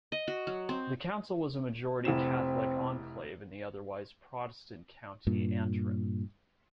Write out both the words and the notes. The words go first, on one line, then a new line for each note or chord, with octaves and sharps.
The council was a majority Catholic enclave in the otherwise Protestant County Antrim.
D#5
F#4
F#3
C4
F1 C4 E4 E7
G2 A#2